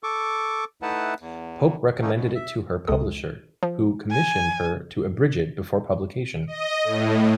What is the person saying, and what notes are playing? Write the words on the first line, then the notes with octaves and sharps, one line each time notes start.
Pope recommended it to her publisher, who commissioned her to abridge it before publication.
A4 C#6 D6
A3 D#4 E4 B4 F#5 A5
E2
D3 A3 A#3 C#4 D#4
F#2 B2
E5
C#2 G#3 A4 D#6
F3
G#5
D#5
A2